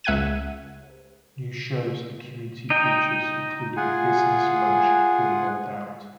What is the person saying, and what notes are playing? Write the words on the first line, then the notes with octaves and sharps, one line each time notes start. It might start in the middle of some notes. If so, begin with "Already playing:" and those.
New shows and community features including Business Lunch were rolled out.
C#2 E5 F#5 F#6 G#6 D#7
D#4 D#5 G5
F4 G#4 F#5 G#5